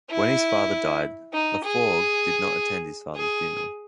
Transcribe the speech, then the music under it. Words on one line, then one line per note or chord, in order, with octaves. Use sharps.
When his father died, Laforgue did not attend his father's funeral.
E4
D#4
G#4
G#4